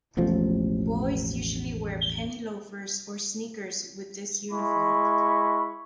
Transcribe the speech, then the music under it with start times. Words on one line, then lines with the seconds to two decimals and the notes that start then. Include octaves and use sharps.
Boys usually wear penny loafers or sneakers with this uniform.
0.17 E1 A1 A2 F3
4.51 G#3 E4 B5 C#6